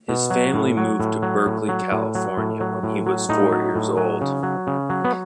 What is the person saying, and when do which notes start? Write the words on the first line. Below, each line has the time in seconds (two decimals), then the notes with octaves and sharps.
His family moved to Berkeley, California when he was four years old.
0.09 B2
0.30 F#3
0.54 A2
0.77 F#3
1.00 A2
1.22 F#3
1.46 A2
1.69 F#3
1.92 A2
2.15 F#3
2.37 A2
2.61 F#3
2.83 A2
3.06 F#3
3.29 A2 D#4
3.52 F#3
3.75 A2
3.97 F#3
4.21 C#3
4.43 F#3
4.67 C#3
4.90 F#3
5.04 B3